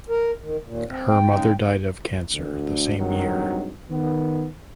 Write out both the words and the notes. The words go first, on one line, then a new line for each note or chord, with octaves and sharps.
Her mother died of cancer the same year.
A#4
D#3
D#2 A#2
C4
G5
C#3 G#3 D#4
D2
G#1 G2 D#3 F#3
D#3 B3